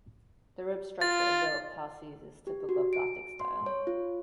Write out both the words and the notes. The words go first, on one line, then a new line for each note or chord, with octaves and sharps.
The ribbed structure of the apses is typical of Gothic style.
F4 A6
G4
F#4
D7
C6
C#5
F4